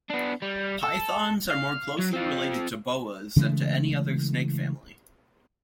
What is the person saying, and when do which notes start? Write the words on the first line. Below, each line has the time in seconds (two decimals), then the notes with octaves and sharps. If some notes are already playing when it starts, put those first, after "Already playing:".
Pythons are more closely related to boas than to any other snake family.
0.10 B3 D4
0.42 G3
0.83 A4
1.50 F5
1.99 F#3
2.13 C4 F4
3.36 C#3 E3 G#3 A3